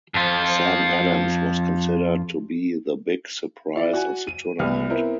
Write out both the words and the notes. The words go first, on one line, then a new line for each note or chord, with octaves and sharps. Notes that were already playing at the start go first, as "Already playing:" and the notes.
Sam Adams was considered to be the big surprise of the tournament.
F2 F4
E4 D5
F#4 G#5
D#7
C2 B3 G4 F6
B3 C4 E4 A#4